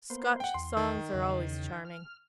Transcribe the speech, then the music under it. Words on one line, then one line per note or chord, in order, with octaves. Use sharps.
Scotch songs are always charming.'
A#3 B3 C5
F#5 G5
E2 C6
D#3
E2 C#3
F6